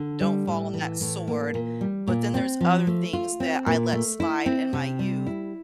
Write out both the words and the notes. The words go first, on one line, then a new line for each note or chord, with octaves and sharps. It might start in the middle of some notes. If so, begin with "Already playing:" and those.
don't fall on that sword, but then there's other things that I let slide in my youth
Already playing: D3
G3
A2
E3
A2
A#3
A#2
G3
A#2
C4
F3
A3
F4
C4
A#2
A3
E4
C4
C3
G3
E4